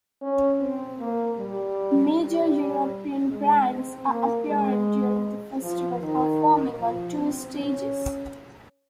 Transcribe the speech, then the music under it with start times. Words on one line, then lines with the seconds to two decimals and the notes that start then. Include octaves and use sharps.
Major European bands are appearing during the festival, performing on two stages.
0.22 C#4
0.61 C4
0.99 A#3
1.38 G3
2.15 G3
3.31 G#3
3.70 C4
4.08 A#3
4.47 G#3
5.63 F3
6.01 D#3
6.79 F3
7.17 C4
7.56 C#4